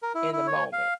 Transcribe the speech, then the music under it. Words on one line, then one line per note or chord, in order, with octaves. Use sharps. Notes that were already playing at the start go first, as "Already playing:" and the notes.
in the moment.
A#4
E4
E4
C#5
F5